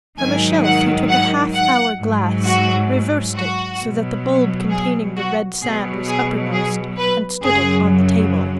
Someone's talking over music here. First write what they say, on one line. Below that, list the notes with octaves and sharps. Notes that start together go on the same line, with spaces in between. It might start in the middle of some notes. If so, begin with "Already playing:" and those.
From a shelf he took a half-hour glass, reversed it so that the bulb containing the red sand was uppermost, and stood it on the table.
G#2 D#3 F#3 G#5
F#5
F#5
F#5
G#2 F#3
F#4
F#4
B2 F#3
G#4
F#4
B2 F#3 G#4
G#4
G#4
B4
F#2 C#3 F#3 G#4